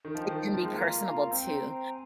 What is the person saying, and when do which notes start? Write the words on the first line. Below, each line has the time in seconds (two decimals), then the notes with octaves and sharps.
It can be personable too.
0.05 D#3
0.15 F3 C5 D#5 G5
0.29 D#3
0.43 C5 D#5 G5
0.54 F3
0.63 G#3
0.73 A#3 F4 A#4 F5 A#5
1.01 F4 A#4 F5 A#5
1.31 C4 C5 G5 A#5
1.60 C5 G5 A#5
1.89 G#5